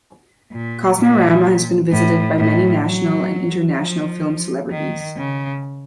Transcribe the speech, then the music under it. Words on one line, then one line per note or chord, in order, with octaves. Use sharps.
Kosmorama has been visited by many national and international film celebrities.
A#2
A#2
A2
A2
F#3
F3
D#3
C#3